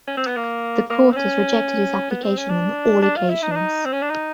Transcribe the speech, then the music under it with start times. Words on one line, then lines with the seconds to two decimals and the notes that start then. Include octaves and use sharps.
The court has rejected his application on all occasions.
0.07 C#4
0.17 C4
0.27 B3
0.36 A#3
0.90 A#3
1.12 C4
1.16 C#4
2.11 B3
2.23 C4
2.37 C#4
2.49 D4
3.02 D4
3.17 F4
3.30 E4
3.42 D#4
3.51 D4
3.56 D#4
3.85 C4
3.92 C#4
4.02 D4
4.10 D#4